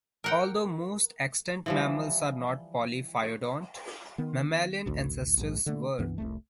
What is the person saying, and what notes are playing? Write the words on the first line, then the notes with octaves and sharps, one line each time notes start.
Although most extant mammals are not polyphyodont, mammalian ancestors were.
A#4 F#5 G5
E3 F3 G3
D#3 B3
A1 D2
A#1 G#2
D3 A3
C#2 G2 E3 B3
F1 C2 A3